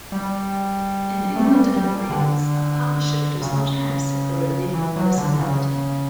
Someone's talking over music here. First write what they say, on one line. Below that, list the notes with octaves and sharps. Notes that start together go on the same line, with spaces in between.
In England and Wales, a partnership does not have separate legal personality.
G3
A3
G3
G3
D3
C#3
E3
F#3
D3
C#3